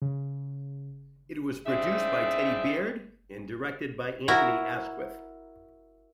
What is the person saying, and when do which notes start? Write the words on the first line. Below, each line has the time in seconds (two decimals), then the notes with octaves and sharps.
It was produced by Teddy Baird and directed by Anthony Asquith.
0.02 C#3
1.66 C#3 C4 D#4 E4 D5 E5
4.28 E4 F#4 A#4 A#5